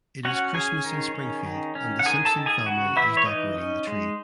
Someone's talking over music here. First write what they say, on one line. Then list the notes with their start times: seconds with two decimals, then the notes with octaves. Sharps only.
It is Christmas in Springfield and the Simpson family is decorating the tree.
0.25 C#4 F#4 F#5
0.54 C#4 G#4 G#5
0.84 D#3
1.15 C#4
1.46 D#3
1.75 C#4
1.99 F#5
2.05 D#3 G#4 G#5
2.25 A4 A5
2.37 D#3
2.46 G#4 G#5
2.66 C#3 F#4 F#5
2.96 E3 E4 E5
3.17 C#5
3.26 E3 D#4 D#5
3.57 C#4
3.87 G#3